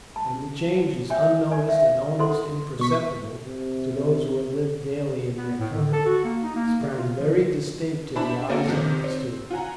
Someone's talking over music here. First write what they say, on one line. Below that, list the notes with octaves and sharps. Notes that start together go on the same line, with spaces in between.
And the changes, unnoticed and almost imperceptible to those who had lived daily in their company, sprang very distinct to the eyes of these two.
A5
C#5 E5 G5 G#5
D5 G#5
E5 F5
E4 A4 C5 F#5 C6
B2 C#6 B6
C3
B3
A2
D3
A4
F#4
A#3
D#4
A#3
C3
F4
F3
D4 E4 C5 A5 B5
A#3 C4 F#4 A4 A#4 D7
F2 C3 D#3
C4
F4 F#5 G#5 A#5